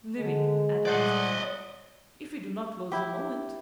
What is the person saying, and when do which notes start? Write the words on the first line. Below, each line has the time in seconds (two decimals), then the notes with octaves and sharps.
"Living," added Mr. Fogg, "if we do not lose a moment."
0.17 D3 G#3
0.86 A#2 G3 A3 C5 D5 D#5 F#5
2.92 E4 G4